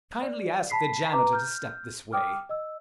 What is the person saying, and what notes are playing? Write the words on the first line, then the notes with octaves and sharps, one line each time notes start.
"Kindly ask the janitor to step this way."
D5
A5 B5 B6 C7
B4 A#5 D6
F6 G6
G5 D6 D#6 F6
D#5 E6